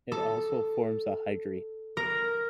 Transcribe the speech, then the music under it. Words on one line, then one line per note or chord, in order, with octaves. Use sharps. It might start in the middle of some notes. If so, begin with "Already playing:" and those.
It also forms a hydrate.
A4
A#4